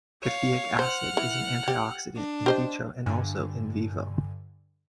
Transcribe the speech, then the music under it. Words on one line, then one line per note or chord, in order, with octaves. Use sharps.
Caffeic acid is an antioxidant "in vitro" and also "in vivo".
C#5 F5
C5 F#5 F6
E3
G4
D4
G4 C5 D#5
G2 D3 G#5